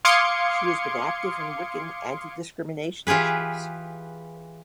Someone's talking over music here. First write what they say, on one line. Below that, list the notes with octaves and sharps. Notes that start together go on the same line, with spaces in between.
She has been active in Wiccan anti-discrimination issues.
F5 C6 D6 D#6 G#6 C#7
E3 F4 G4 G#4 B4